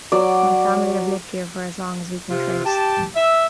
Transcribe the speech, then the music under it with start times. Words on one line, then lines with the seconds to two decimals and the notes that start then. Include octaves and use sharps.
My family have lived here for as long as we can trace.
0.12 F#3 D5
2.30 C3 F4
2.65 G4 A5
3.15 E5